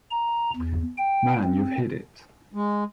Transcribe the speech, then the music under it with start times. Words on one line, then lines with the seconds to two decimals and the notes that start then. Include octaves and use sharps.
Man, you've hit it!
0.11 A#5
0.56 E2
0.98 G5
1.44 C4
2.54 G#3